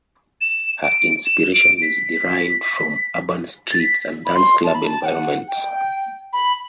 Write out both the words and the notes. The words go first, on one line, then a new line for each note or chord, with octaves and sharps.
Her inspiration is derived from urban streets and dance club environments.
E7
D7
E7
D7
B6
A6
B6
B5
C6
A5
B5
A5
G5
F#5
G5
B5